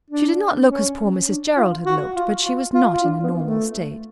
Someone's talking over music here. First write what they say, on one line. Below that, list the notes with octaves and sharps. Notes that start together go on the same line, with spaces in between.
She did not look as poor Mrs. Jerrold had looked, but she was not in a normal state.
D4
C#4
D4
F4
F#4
F4
F4
F4
F4
D4
B3
A3